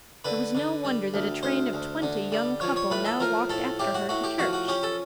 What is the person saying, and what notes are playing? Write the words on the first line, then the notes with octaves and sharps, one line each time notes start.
It was no wonder that a train of twenty young couple now walked after her to church.
D3 B4
D3
G3
D2
D2 C5
D2
D3
G3
F3 C#5
C#5
A2 B4
A4
F3 A#4
A2 A4
A2 G4
F#4
A2 F#4
G4
F3 F#4
F#4
C#4 G4
A4